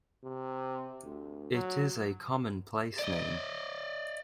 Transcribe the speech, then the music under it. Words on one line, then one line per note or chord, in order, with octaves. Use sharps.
It is a common place name.
C3
D2
F#3
D5 D#5